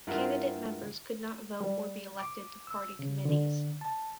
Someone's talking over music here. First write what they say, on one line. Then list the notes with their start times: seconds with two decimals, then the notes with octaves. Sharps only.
Candidate members could not vote or be elected to party committees.
0.07 G2 E4 F4 A#4 F#5
1.61 G3
2.19 D6
2.67 E6
2.99 C#3
3.25 D3
3.81 A5